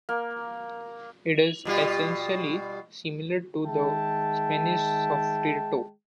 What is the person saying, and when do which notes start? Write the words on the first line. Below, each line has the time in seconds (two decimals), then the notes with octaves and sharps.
It is essentially similar to the Spanish sofrito.
0.09 A#3
1.65 B2 G3 F4
3.66 D#3 G#3 E5 G5 A5